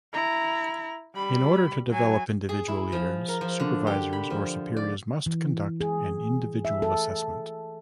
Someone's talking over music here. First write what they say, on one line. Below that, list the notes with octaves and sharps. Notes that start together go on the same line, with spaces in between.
In order to develop individual leaders, supervisors or superiors must conduct an individual assessment.
E4 A#5
G3 B5
F#3 G#5
G#4
E4
F3
A#4
F3
D3
G4
B5
F3
D5
E3
G#4
E5
A4